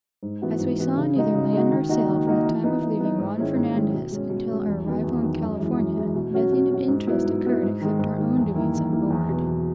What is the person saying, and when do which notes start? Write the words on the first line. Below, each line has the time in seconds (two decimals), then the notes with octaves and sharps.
As we saw neither land nor sail from the time of leaving Juan Fernandez until our arrival in California, nothing of interest occurred except our own doing on board.
0.23 G#2
0.42 E3 B3 F#4
0.60 G#2
0.79 E3 B3 F#4
0.97 C#3
1.16 G#3 D#4 F#4
1.34 C#3
1.53 G#3 D#4 F#4
1.71 D#3
1.89 A#3 D#4 F#4
2.09 D#3
2.27 A#3 D#4 F#4
2.46 E3
2.64 B3 D#4
2.82 E3
3.00 B3 D#4
3.19 G#2
3.38 D#3 G#3 C#4 E4
3.56 G#2
3.75 D#3 G#3 C#4 E4
3.93 B2
4.11 G#3 C#4
4.29 B2
4.48 G#3 C#4
4.67 E2
4.85 D#3 F#3 B3
5.04 E2
5.22 D#3 F#3 B3
5.41 F#2
5.59 E3 G#3
5.77 F#2
5.96 E3 G#3
6.14 B2
6.33 F#3 C#4 F#4
6.52 B2
6.70 F#3 C#4 F#4
6.88 G#2
7.07 F#3 B3 E4
7.25 G#2
7.44 F#3 B3 E4
7.63 G#2
7.81 D#3 G#3
7.99 G#2
8.18 D#3 G#3
8.37 E2
8.54 D#3 A#3 E4
8.73 E2
8.92 D#3 A#3 E4
9.10 E2
9.28 B2 F#3 B3
9.47 E2